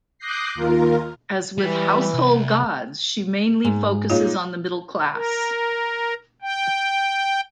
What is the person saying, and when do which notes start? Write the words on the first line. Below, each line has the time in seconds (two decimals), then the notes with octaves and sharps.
As with "Household Gods" she mainly focuses on the middle class.
0.18 D6 D#6 F#6 G6 A#6 C7
0.54 D#2 F4 A#4
1.58 E3 G3
2.14 C2
3.65 G#2
4.10 A#2 G#3 D#4 F4 C#5 F5
5.14 A#4
6.42 G5